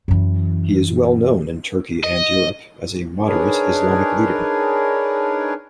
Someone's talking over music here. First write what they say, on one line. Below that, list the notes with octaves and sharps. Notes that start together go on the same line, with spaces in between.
He is well known in Turkey and Europe as a moderate Islamic leader.
F#2 E3
D#5
D4 D#4 G#4 A#4 B4 C#5